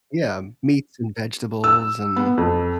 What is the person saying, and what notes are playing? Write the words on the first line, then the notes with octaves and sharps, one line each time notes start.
Yeah, meats and vegetables, and
E6
B3
F2